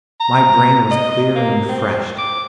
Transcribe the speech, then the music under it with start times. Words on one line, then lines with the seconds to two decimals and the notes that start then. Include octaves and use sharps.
My brain was clear and refreshed.
0.20 A#5
0.91 D#5
1.36 A#3
1.69 C4
2.18 D6